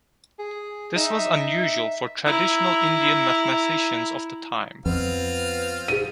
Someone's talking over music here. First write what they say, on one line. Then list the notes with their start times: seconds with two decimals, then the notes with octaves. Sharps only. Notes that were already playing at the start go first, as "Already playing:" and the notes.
This was unusual for traditional Indian mathematicians of the time.
0.39 G#4
0.96 D#4 E5
2.26 E4 A#5
4.86 F2 B3 C4 F4 F6
5.88 G#2 G#4 D#7